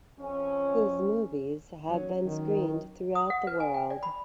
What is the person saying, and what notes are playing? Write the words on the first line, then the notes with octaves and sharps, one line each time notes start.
His movies have been screened throughout the world.
F2 C#4
F#3 C#4
D#3
D#6
F#5
B4
G#5
G5
D5
B5